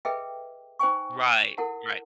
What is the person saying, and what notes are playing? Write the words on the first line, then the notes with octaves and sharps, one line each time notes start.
Right. Right.
G#4 A4 B4 D#5 E5 G5
D#4 C5 G5 G#5 C#6
E4 A4 A#4 F#5 A5